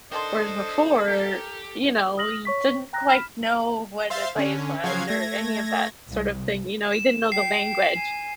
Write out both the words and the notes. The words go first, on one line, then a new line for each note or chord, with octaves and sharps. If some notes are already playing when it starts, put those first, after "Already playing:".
Whereas before, you know, he didn't quite know what the glaze was or any of that sort of thing, you know, he didn't know the language.
D#3 D4 A4 C5 D#5 A5 C6
G4 A#4
D#6 F6 A#6 F#7
C#5 C#6 B6
G5 A#5 F#6 A#6
B5 F6 B6 E7
C5 E5 F5 C6 A6
D3 C#4
C#3 F3 F#3 F#4 F5 G#6
A3 G#6 A#6
C2
E7
G5 C7
G#5